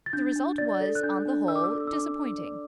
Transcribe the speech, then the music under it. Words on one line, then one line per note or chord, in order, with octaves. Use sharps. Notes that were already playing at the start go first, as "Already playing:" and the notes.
The result was, on the whole, disappointing.
A6
D4 G6
D4
D5 A6
A4
F#6
D4 G6
D4
D5 E6
D6
E6
A4
E6
D4 D6
D4
D5